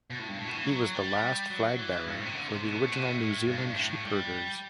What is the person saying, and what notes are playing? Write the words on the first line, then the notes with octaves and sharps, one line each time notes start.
He was the last flag bearer for the original New Zealand Sheepherders.
B2
A2
G2
A2
B2
E3
F#3
G3
F#3
E3
G2
A2
C3
D3
C3
B2
A2
B2
A2
A2
G2
A2
G2
A2
A2
G3